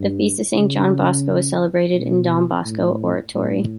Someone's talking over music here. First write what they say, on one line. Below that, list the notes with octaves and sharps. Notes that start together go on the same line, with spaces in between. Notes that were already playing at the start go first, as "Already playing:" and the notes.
The feast of Saint John Bosco is celebrated in the Don Bosco Oratory.
Already playing: G2
C#3
B2
A2
A2